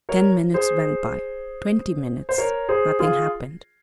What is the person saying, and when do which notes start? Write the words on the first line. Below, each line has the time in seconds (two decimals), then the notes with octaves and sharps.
Ten minutes went by--twenty minutes--nothing happened.
0.09 A#4 C#5
0.54 G#4 C5
2.29 C5
2.38 A#4 C#5
2.69 G#4 C5
2.99 F4 G#4